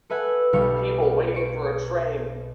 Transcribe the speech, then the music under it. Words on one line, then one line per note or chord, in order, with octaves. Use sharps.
People waiting for a train.
A4 B4 E5 F#5 G#5
B1 G3 F5 C#6
C#6 D7